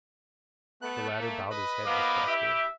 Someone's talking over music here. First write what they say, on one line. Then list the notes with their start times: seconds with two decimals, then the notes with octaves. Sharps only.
The latter bowed his head respectfully.
0.82 A3 B3 F#6
1.19 A#3
1.50 B4 D#5 B5
1.86 F3 A#3 B3 F5 D6
2.27 E4 G4 E5